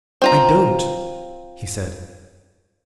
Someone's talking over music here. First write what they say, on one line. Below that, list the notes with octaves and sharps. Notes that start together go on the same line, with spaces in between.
"I don't," he said.
C4 F4 A#5